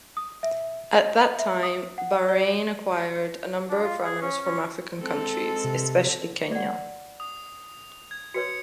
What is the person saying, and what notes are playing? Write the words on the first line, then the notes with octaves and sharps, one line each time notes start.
At that time Bahrain acquired a number of runners from African countries, especially Kenya.
D#6
E5
D#5
E5
D#6
F#5
D5
D4
F4
G#4
C#4
C#4
G#3 C4 A4
C3
D5 F#5
D#6
G#6
F#4 B4 C#5 G#6 C#7